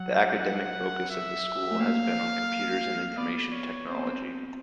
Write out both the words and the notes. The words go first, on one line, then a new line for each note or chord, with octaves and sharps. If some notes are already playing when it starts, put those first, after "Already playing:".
The academic focus of the school has been on computers and information technology.
Already playing: F#3 F#5
E5
A3
A#3 F5
B3 D5
C#5
C4 C5
B3
C4